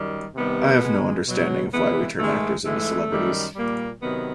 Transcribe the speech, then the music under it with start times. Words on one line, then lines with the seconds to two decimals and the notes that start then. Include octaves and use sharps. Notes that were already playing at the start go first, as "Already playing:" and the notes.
I have no understanding of why we turn actors into celebrities.
Already playing: F#2 D#3 G3
0.34 C3 D#3 G3 B3
0.80 B2 G#3
1.26 B2 F#3
1.72 C3 E3 G#3 B3
2.18 G#2 D#3 G#3 A3
2.64 G#2 E3 G#3 A3
3.10 F#2 D#3 G3
3.55 A#2 G3 A#3
4.02 C3 D#3 F#3 B3